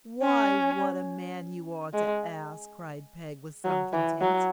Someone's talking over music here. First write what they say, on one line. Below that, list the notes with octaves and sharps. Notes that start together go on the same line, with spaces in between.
'Why, what a man you are to ask!' cried Peg, with some contempt.
C#4
G#3
F#3
E3
F#3